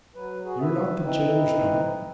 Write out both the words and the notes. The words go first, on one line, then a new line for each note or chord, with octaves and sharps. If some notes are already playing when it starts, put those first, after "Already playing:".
"You are not the gaoler's daughter?"
F#3 B4
F#4 G#4
B4 E5
C4 D#4 E4 B4